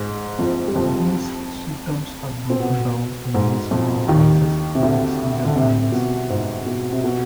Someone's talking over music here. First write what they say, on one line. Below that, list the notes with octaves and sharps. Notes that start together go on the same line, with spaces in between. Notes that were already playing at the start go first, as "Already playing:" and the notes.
These sheikhdoms are broken down to many smaller branches and extended families.
Already playing: G#2 G#3
F2 F3
G3
F2 F3
C4
B2 B3
G#2 G#3
F2 F3
D#2 D#3
C3
D2 D3
D3
C2 C3
B2
G#2
B2
C3
B2